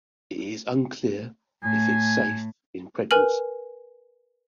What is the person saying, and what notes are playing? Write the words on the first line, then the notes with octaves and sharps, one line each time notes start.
It is unclear if it is safe in pregnancy.
A2 G#5
A#4 B4 G#5 F6 F#7